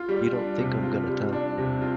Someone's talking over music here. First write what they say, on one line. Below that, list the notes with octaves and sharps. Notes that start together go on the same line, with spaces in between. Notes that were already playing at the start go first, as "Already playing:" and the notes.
You don't think I'm gonna tell!
Already playing: F4
G3
D4
C3
F4
G3
D4
C3
F4